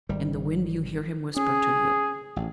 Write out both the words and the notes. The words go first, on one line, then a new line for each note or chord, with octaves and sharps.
In the wind you hear him whisper to you.
G#1 D#3 G3
C#4 G#4
A1